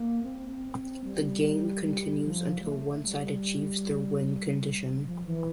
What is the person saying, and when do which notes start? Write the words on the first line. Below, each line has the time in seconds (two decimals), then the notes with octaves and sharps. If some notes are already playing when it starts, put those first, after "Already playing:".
The game continues until one side achieves their win condition.
Already playing: A#3
0.23 C4
0.50 C4
0.77 C4
1.04 G3
1.84 G3
2.24 F3
2.59 G3
2.64 A3
3.05 G3
5.05 F3
5.26 E3